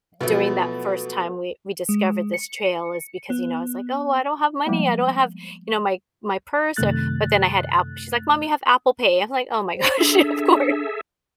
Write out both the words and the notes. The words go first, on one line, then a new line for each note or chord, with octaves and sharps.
during that first time we we discovered this trail is because, you know, it's, like, "Oh, I don't have money, I don't have" you know, "my my purse, or" but, then I had App she's like, "Mom, you have Apple Pay." I'm like, "Oh my gosh, of course."
B2 F3 F#3 A3 B3
G#3
C#7
B3
F3 G3 G#3 A#3 B3
F#2 C3 D#3 A3 F#6 A6
C5
D4 G#4 A4 E5